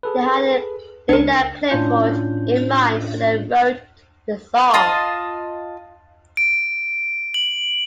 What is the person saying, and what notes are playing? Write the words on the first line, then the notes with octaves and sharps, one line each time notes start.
They had Linda Clifford in mind when they wrote the song.
G#4 A4 B4
C#2 D4 A#4 C#7
A2 C#4 D4 F4 G6
F4 D#5 A5 C6
D7
F#7